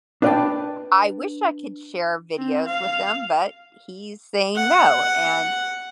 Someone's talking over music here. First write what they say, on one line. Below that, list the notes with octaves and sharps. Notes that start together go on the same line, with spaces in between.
I wish I could share videos with him but he's saying no, and
D4 B4 D5 F5 G5 A5
C4
F5
F#5